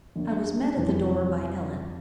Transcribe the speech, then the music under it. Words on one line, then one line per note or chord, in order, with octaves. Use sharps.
I was met at the door by Ellen.
F#2 D3 F#3 A#3
F2 C3 E3 G3